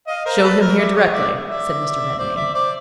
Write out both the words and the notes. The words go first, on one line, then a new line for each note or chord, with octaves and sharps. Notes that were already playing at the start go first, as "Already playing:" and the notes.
"Show him here directly," said Mr. Redmain.
D#5 F5
A#4 C5
A4 B4
A#4 C5
D5 E5
C#5 D#5
D5 E5
D5 E5
C5 D5
D5 E5
C5 D5